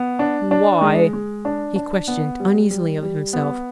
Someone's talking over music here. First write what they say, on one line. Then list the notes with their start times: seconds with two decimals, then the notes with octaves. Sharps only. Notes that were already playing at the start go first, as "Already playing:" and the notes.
"Why?" he questioned uneasily of himself.
Already playing: B3
0.19 D4
0.51 D4
0.81 G#3
1.13 G#3
1.45 D4
1.76 D4
2.08 B3
2.40 G3
2.71 G3
3.03 G3
3.33 B3